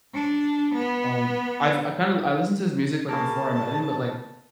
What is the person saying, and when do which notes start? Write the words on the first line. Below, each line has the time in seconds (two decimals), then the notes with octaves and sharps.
Um, I've I kinda I listened to his music, like, before I met him, but, like,
0.14 D4
0.74 B3
3.09 C#3 A#3 A#4 A5